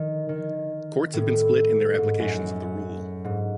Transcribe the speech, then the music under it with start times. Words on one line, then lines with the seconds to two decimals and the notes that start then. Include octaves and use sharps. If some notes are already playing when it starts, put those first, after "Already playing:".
Courts have been split in their applications of the rule.
Already playing: D#3
0.29 D#3
1.14 A2
1.98 G#2
2.19 F#2
3.24 G#2